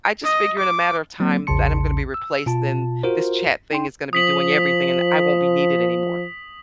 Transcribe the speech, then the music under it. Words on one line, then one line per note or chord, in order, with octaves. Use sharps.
I just figure in a matter of time that I'm gonna be replaced, then this chat-thing is gonna be doing everything and I won't be needed anymore,"
D#5
D6
F#3 A#3 C4
A#1 E2 C#3 A5 C6 C#7
E6
B2 F4 A5
F4 F#4 A#4 C5
D#4 G5 C6
F3 D#6 B6 F#7